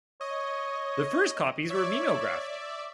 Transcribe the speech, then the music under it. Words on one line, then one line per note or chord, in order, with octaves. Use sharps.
The first copies were mimeographed.
C#5 D#5
C#5 D5 E5